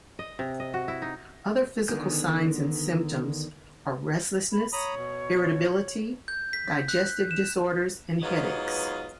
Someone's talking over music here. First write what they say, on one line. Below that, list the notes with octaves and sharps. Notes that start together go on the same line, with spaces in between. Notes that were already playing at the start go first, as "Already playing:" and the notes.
Other physical signs and symptoms are restlessness, irritability, digestive disorders, and headaches.
D#5
C3
D#5
F#4
E4
D#4
D3 D#3 B3 G#4 G6
B5
C#5 A#5 B5 D#6
B2
G6
B6
F#6
E7
G#2 F#3 B3 F4 B4 D#5